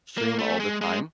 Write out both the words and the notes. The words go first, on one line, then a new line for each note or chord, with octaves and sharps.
stream all the time,
A#3
A3
G#3
G#3